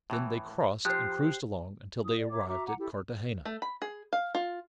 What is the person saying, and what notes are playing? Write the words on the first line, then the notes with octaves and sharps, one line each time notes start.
Then they crossed and cruised along until they arrived at Carthagena.
A2 E3
F3 G4 C5 F#6
E4 D#6
D5
C#5 E5 A#5 D6
F#4 E5 A#5 D6
F#5 A#5 D6
E4 G4 A4
A3
B5
G#4
F5
F4